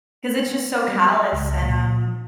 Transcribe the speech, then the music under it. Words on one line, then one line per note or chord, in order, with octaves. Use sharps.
'cause it's just so callous and, um,
B3
G3
E5
C#2
A#2